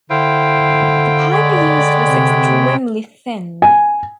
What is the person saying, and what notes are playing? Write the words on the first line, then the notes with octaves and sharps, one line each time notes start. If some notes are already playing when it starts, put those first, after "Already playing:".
The paper used was extremely thin.
D3 E4 C5 F5 G5
G#3 C#5 D5 B5
C3
G#5